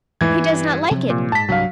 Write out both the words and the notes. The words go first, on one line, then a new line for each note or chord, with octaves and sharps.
He does not like it!
E2 G#2 E3 A3 G#6
G2
C3 F3 F#3
A#2
G#2 A5 B6
C2 G2 F#3 F5